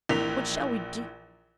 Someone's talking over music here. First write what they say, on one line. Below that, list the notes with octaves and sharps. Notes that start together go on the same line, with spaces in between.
What shall we do?
A#1 E3 A#4 B6 F7